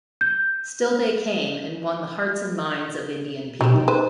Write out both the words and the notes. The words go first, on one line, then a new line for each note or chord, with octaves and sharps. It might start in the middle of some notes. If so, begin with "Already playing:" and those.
Still they came and won the hearts and minds of Indian people.
G6
B2 F#3 G3
D#4
B4 C5